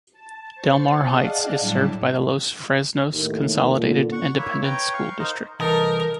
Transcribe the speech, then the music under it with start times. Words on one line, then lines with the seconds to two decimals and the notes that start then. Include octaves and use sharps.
Del Mar Heights is served by the Los Fresnos Consolidated Independent School District.
0.13 A5
0.55 C5 C#6 A6
1.09 G#4 D5 D#5 F5 F#5 A5
1.60 A2 F#3 G3 D4 E4 A5
3.12 D#2 A2
3.76 A#2 D3
4.12 F#5 C#6
4.38 A#3 E4 C#5 E5
4.63 B4 C#5 G5 A#5
4.94 F5 C#6
5.19 D#4 A#4 C5 D#5
5.60 C2 E3 D#4 A4 A#4